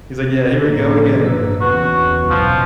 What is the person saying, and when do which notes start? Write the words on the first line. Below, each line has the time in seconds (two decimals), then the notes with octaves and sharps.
He's like, "Yeah. Here we go again."
0.65 A2 F3 A#3
1.26 G2 B4 E6
1.61 E2 C#3 F#4 B4
2.31 F#1 B2 F3